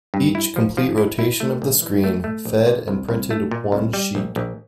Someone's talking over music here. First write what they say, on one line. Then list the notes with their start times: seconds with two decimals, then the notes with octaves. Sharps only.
Each complete rotation of the screen fed and printed one sheet.
0.14 G2
0.35 E4
0.56 F3
0.77 F3
0.98 E4
1.19 E4
1.40 A3
1.62 A#1
1.82 E3
2.04 A3
2.24 A3
2.45 A#1
2.67 A#2
2.88 C2
3.09 C2
3.31 A3
3.51 A#2
3.72 C2
3.93 G3
4.15 A#1
4.36 A#1